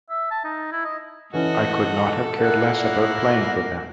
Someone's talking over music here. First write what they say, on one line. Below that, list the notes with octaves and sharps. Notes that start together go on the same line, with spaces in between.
I could not have cared less about playing for them.
E5
A5
D#4
E4
D#5
E3 C#4 F#4 A4 D#5
A#3 E4 A#4 F#5